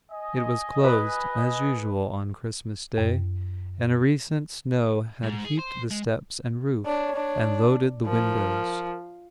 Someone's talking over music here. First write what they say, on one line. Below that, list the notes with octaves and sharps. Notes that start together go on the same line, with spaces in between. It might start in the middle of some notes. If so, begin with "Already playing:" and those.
It was closed, as usual on Christmas day, and a recent snow had heaped the steps and roof, and loaded the windows.
D#5 G#5
B4
F#2
G#2
G#4
C5
G#3
D4 C#5
D4
F3 A#4